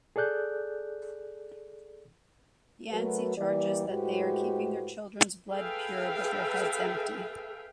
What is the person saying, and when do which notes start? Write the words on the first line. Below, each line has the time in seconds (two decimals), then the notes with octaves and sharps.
Yancey charges that they are keeping their children's blood pure, but their heads empty.
0.16 G#4 A4 D5 F#6 G6
2.90 F#3 A3 F#4 A#4 B4
3.36 E3 G3 A#3 G4 D5
3.88 A2 G#3 F#4 G4 B4 C5
5.52 G#4 A4 B4 E5 F5 G5